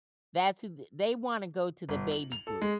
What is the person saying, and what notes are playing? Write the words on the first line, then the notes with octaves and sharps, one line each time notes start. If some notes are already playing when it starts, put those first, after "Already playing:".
that's who they wanna go to the baby group.
G1
F#7
F7
A4
G#3